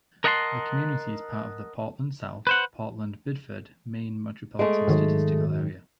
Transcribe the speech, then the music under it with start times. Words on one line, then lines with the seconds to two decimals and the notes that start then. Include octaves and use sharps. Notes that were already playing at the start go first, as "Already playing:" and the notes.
The community is part of the Portland-South Portland-Biddeford, Maine Metropolitan Statistical Area.
0.24 A#4 D#5 F#5 A5 A#5 C6
2.47 B4 C5 F#5
4.59 G#3 A3 D7
4.88 G#2 D#3 F#3